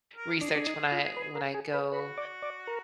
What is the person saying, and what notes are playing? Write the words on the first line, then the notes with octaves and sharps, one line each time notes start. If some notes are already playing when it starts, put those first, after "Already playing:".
research when I when I go,
A#4
D4 G#4
D4
D#4
F4
B4
A#4
G#4
B4
F#4 B4
D5
D5
A#4